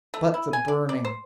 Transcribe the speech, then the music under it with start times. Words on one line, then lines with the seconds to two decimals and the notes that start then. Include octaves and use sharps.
But the burning!
0.14 A3
0.34 E4
0.53 G#5
0.68 D5
0.89 D5
1.05 C5